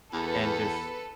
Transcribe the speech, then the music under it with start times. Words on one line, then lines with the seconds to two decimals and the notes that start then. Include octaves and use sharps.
and just
0.13 E2 A4 B4